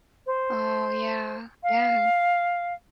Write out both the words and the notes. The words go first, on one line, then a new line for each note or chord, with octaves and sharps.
Oh, yeah, yeah.
C5
F5